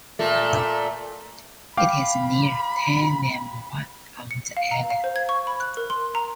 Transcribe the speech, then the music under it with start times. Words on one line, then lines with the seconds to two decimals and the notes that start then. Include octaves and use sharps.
It is near Tai Nam Wan on the island.
0.19 A#2 A3
1.77 F5 G5 B5 D6
4.31 C#7
4.57 F5
4.71 A#5
4.90 F5
5.04 C5
5.16 G#6
5.29 C#6
5.47 B5
5.60 F#6
5.77 A#4
5.90 C6
6.15 A#5